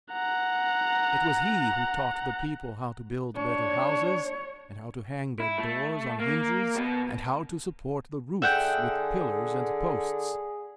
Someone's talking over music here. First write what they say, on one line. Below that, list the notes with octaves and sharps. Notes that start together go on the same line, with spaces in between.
It was he who taught the people how to build better houses and how to hang their doors on hinges and how to support the roofs with pillars and posts.
F#5 A#5
D4 C#5
E4
A3
A#3
B2 B3
D3 G#4 E5 F#5 G5